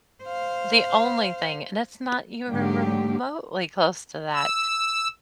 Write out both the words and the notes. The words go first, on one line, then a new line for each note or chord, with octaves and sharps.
The only thing and, it's not even remotely close to that,
C5 F5
G#2 D3 F#3 G4
E6